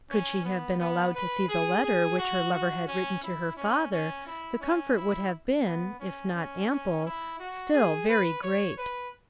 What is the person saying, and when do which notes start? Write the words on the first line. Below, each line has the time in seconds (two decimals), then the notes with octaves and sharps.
Could she have been allowed to see the letter which her lover had written to her father, the comfort would have been, if not ample, still very great.
0.10 C#4
0.44 B3
0.79 B3
1.14 B4
1.48 G#4
1.83 G#4
2.18 F#4
2.53 F#4
2.87 C#4
3.23 E4
3.56 C#4
3.91 C#4
4.26 E4
4.61 C#4
4.96 E4
5.65 B3
6.00 C#4
6.35 C#4
6.70 C#4
7.04 E4
7.39 F#4
7.73 G#4
8.09 B4
8.42 C#5
8.77 B4